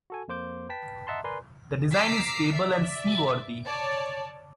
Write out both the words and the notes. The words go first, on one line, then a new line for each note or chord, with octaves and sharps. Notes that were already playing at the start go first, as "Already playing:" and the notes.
The design is stable and seaworthy.
F#4 A4 G#5
F2 A#3 C5 D6 G6
B4 G5 A5 B6
D#5 E5 F#5 A5 A#5 C6
A#4 B4 D5 G#5 A#5 C6
A#5 D6 E6 F6 B6 C7
D5 E5
C#5 D5 A5